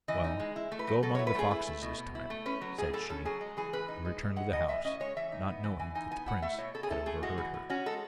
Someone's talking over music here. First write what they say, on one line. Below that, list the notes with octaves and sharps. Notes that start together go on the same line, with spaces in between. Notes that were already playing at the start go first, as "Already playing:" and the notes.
'Well, go among the foxes this time,' said she, and returned to the house, not knowing that the prince had overheard her.
E3 D#5
D#4
G#3
E4
A3
B4
F#3
F#3 A4
C#5
E4
B4
A3 G#4
E4
A3
B2
B2
E4
A3
C#4 B4
F#3
A2 G#4
A2 A4
C#4 A4
F#3 G#4
G#3
E3 G#4
A2 B4
D#4
G#3
E3
G#3 F#5
E3 D#5
A2 E5
C#4 D#5
G#3 C#5
E3 E5
D#4
B3
E3
E3 G#5
D#4 G#5
B3 G#5
E4 F#5
A3 E5
B2 C#5
B2 A4
G#4
E4 A4
A3 G#4
G#3 F#4
E3
A2
C#4 F#4
G#3 A4